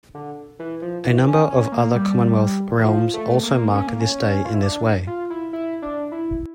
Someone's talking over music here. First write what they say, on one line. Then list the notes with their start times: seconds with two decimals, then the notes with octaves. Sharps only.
A number of other Commonwealth realms also mark this day in this way.
0.15 D3
0.59 E3
0.82 F3
1.04 E3
1.28 C#4
1.50 C#4
1.72 A#3
1.95 G3
2.79 E3
2.84 F3
3.14 A3
3.43 A#3
3.73 C#4
3.87 A#3
4.00 C#4
4.45 F4
4.54 E4
4.63 D4
5.07 F4
5.30 E4
5.53 E4
5.82 D4
6.12 E4